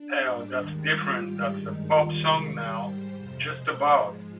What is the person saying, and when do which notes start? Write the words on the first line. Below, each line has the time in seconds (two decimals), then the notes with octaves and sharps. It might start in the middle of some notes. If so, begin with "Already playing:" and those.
Hell, that's different-that's a pop song now, just about.
Already playing: D4
0.22 G#2 G3
0.56 D#2 D#3 G#3
0.88 G#2 G3 F4
1.21 G#2 D#3 G3 G4
1.53 G2 D#3 G#3 D#4
1.86 D#2 D#3 G3 F4
2.18 F2 C3 D#3 G#3 D#4
2.51 G#2 D#3 G3 G4
2.84 G#2 G3 C5
3.17 F2 C3 F3 C5
3.50 B2 G#3
3.82 G#2 F3 G#3